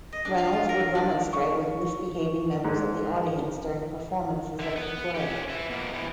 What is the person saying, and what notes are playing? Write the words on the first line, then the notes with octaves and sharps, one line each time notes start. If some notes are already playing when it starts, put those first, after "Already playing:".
Reynolds would remonstrate with misbehaving members of the audience during performances of the play.
D#5
D4
F5
F4
A#4
D4
C#6
G#2
D1
D3 E4
B3 B4
C#4 G4
B4 E5
B2 A#3
C3 E3